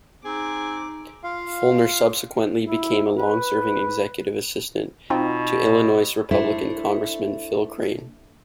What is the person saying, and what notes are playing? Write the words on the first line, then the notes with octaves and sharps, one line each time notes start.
Feulner subsequently became a long-serving executive assistant to Illinois Republican congressman Phil Crane.
C4 D#4 G#4 D6
F4 F5
E4
B4
B2 C4 D#4 F4
A3 D4 E4 C5